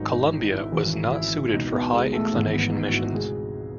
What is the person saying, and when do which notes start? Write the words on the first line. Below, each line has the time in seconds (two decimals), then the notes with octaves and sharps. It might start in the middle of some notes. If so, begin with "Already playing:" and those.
"Columbia" was not suited for high-inclination missions.
Already playing: G#1 F#2 D#3 D#4
0.11 D#4
0.31 D#4
0.51 E4
0.72 G#1 F#2 C#3 E3
1.12 E4
1.52 C#2 B2 D#4
1.72 B3
1.92 G#3
2.13 A3
2.33 G#1 G#2 E3 B3
2.53 B3
2.73 D#4
2.87 F#4
2.93 E4
3.13 C#2 B2 G#4